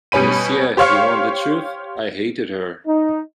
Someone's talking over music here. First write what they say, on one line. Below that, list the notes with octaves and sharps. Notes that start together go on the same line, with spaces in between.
Monsieur, you want the truth — I hated her!
B2 G3 C#4 B5 D#7
G4 C5 C#5 F5 C#6 F6
D#4